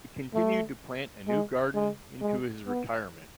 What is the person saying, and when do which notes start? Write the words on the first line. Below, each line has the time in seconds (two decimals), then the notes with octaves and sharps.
He continued to plant a new garden into his retirement.
0.34 A3
1.28 G#3
1.75 G#3
2.21 G#3
2.67 B3